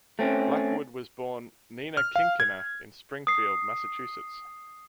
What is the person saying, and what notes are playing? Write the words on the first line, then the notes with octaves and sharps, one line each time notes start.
Blackwood was born Nina Kinckiner in Springfield, Massachusetts.
A3 C4 C#4
F6
F5
G#6
D#6 C7